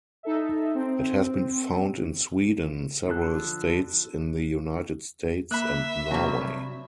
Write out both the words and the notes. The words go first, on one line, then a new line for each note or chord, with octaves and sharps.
It has been found in Sweden, several states in the United States and Norway.
D#4 A4 E5
C4
D3 F3 A4 F#6
A#3 E5 B5 F#6
G2 C3 F#3